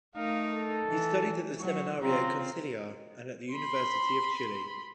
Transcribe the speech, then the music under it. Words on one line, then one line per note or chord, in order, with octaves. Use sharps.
He studied at the Seminario Conciliar and at the University of Chile.
A3 D#4 A#4 F5
A4
E3
F#3 C#6
C#3 C4 F4 A#5
B5 C6